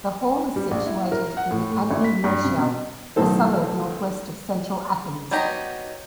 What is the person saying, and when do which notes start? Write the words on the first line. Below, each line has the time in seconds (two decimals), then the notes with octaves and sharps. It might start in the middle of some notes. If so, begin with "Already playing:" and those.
The hall is situated in Ano Liosia, a suburb northwest of central Athens.
0.56 G3
0.71 A#1
0.86 E4
1.12 A#4
1.37 F#5
1.51 A2
1.72 A2
1.91 G#1
2.04 B6
2.24 G2
2.44 C3
2.59 B2
3.16 B1 A2 D#3 A4 C5
5.31 F#3 B3 D#4 G4 A#5